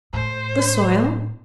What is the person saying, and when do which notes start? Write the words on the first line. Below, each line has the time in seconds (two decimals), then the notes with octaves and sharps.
The soil.
0.13 A2 C5